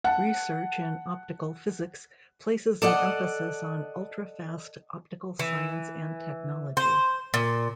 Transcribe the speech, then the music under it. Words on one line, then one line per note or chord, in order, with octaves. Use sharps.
Research in optical physics places an emphasis on ultrafast optical science and technology.
F#5 A5
A4 D5 D#5 F#5
E3
C5
A#2